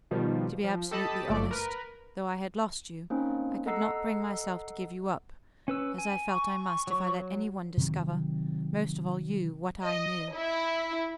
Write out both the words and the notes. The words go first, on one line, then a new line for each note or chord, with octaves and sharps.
To be absolutely honest--though I had lost you, I could not bring myself to give you up,--as I felt I must, if I let any one discover--most of all you--what I knew.
B2 D#3 F3 G3
F3
G4 A4 D#5 A5 B5
G1 F3 A3 D5
A#4 B4
A#3 C4 C#4 D#4 C5
A4 D#5 F#5 A#5 E6 C7
C#4 B4 E6
G#5
C#6
F#3
C3 D#3 F#3 C4
D#5
E4